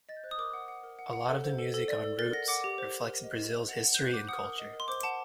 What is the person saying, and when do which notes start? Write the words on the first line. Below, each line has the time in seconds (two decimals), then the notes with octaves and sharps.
A lot of the music on "Roots" reflects Brazil's history and culture.
0.09 D#5 A6
0.17 G6
0.24 C5 F#6
0.31 D#6
0.38 A#4 D6
0.54 F#5
0.68 F#5
0.83 A#4
0.99 F#5
1.13 F#5
1.29 A4
1.44 C5
1.58 A4
1.74 A4
1.88 D5
2.04 A4
2.19 A#4 A6
2.33 F#5 A#6
2.48 F#5 D6
2.64 G4
2.78 C5
2.93 G4
3.09 A#4
3.24 D#5
3.38 A#4
3.54 C5
3.69 F#5
3.84 F#5
3.94 G6
3.99 C5 F#6
4.13 F#5 D6
4.28 F#5 D#6
4.44 A#4
4.59 D#5
4.73 A#4
4.80 C6
4.88 C5 D6
5.03 F#5 A5